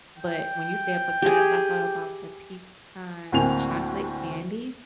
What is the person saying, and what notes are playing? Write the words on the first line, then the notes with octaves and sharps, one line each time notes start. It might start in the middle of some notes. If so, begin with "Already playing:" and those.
but when you said pecans, I thought about the pecan chocolate candies?
G5
G4 G#4
D2 A2 A#3 C4 G#5 F7